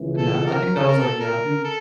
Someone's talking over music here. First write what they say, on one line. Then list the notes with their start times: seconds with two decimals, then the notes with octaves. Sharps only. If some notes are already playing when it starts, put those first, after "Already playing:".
And, yeah, I I think that was, like, yeah I think
Already playing: C#2 C#3 E3
0.18 A4
0.46 A#4
0.76 A4
0.88 A#4
1.00 A4
1.20 A#4
1.64 A4